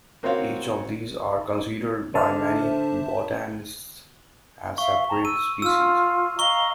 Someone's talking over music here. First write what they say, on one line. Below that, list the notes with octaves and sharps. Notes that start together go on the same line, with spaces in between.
Each of these are considered by many botanists as separate species.
A#3 C4 F4 F#4 C#5 F5
D3 C5 E5 A5 F6
E5 F5 C#6
G5 A5 A#5
E6 D#7
F4 E6 F6
D#5 F5 A#5 C#6 G7